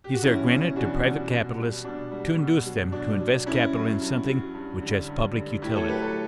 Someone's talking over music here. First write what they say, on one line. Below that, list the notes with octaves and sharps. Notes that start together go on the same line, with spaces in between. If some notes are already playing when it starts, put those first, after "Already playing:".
These are granted to private capitalists to induce them to invest capital in something which has public utility.
G4
F#4
E2 C#4 E4
B2 G3
E2 D4 F#4
B2 G3
B2
G3
B2 D4
G3
B2
F#3
B2 D4
F#3
G2 C#4 E4
F#3
G2
F#3
G2
D3 G3
G2
D3 G3
A2 E4 G4
A4 C#5
F#3 G4 B4
A4 C#5